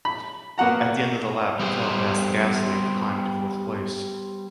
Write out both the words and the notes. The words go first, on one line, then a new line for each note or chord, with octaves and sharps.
At the end of the lap Vettel passed Gasly to climb into fourth place.
B5
A#3 B3 F#4 F#5 A#5
G3 B3 C5